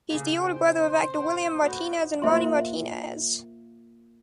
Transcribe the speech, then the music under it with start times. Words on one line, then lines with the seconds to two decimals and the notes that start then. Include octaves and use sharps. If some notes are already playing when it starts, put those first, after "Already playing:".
He's the older brother of actor William Martínez and Ronnie Martínez.
0.10 C#3 A#3 G#4
0.42 C5 G5
0.81 C6
1.19 F#5 G5
1.61 B3 D#4 F#4
2.22 A#3 F4 C5 E5 C6